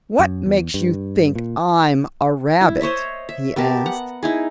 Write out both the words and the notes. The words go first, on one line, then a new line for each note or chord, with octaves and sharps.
"What makes you think I'm a rabbit?" he asked.
F#2
E2
G2
A#2
E4
C5 C#5 D#5 E5
E5
B3 G4 A#4 A5
F#5
D#4 E4 G#4